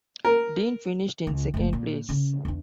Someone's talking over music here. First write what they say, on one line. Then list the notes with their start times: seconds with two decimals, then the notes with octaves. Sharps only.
Dean finished in second place.
0.25 A#4
1.27 C#2
1.54 F#1 A3
1.73 A#2
2.09 C#3 C#4
2.45 E2 D4